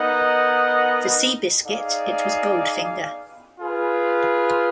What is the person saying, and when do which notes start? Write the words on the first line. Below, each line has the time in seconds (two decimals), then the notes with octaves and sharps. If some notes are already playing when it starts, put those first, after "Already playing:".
For "Seabiscuit" it was "Goldfinger".
Already playing: B3 D#4 A#4 D#5 F#5
1.65 D#4 G#4 D5 F5
3.60 F4 G#4 B4